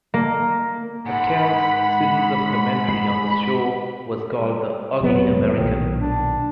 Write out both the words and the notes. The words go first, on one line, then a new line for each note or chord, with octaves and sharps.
Attell's series of commentary on the show was called "The Ugly American".
A#3
G#2 F#5 B5
G3
F1 F#3 B3
B1 A#2 D#3
D4